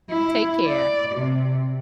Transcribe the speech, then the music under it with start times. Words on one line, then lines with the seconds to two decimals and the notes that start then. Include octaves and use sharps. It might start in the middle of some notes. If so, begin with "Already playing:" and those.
So you take care.
0.10 E4
0.66 D5
1.15 C3